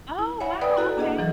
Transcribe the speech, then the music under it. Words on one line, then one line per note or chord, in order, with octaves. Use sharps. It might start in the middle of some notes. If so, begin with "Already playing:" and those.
Oh, wow. Okay.
E4
C#5 E5 F#5 G#5 B5
B4 D5 G5 B5 D#6
E4 F#4 A4 A#5
A#3 D4 G#4 D#5 F#5
E3 F#3 A4